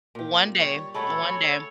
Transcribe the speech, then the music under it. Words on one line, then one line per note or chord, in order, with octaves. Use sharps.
one day, one day.
A#2 G4
G3 C#5
G#3 A3 F#4 A4 C#5 B5